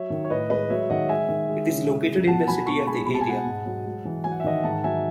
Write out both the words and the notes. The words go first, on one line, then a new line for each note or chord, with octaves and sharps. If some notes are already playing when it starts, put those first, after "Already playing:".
It is located in the city of the area.
Already playing: F#3 C#5 E5
D#3
C#5
A2 B4 D#5
G#3 B4 D#5
F#3 C#5 E5
D#3 D#5 F#5
G#3 E5 G#5
D#3
G#3
C#3
G#3
C#3
B2 F#5 A5
F#3 G#5 B5
B2 A5 C#6
G#3 G#5 B5
B2 B5
A5
G#5
G#3 F#5 A5
G#2
F#3
G#3
E3
F#3 G#5
F#5
E5
D#3 D#5 F#5
G#2 F#5 A5
F#3 E5 G#5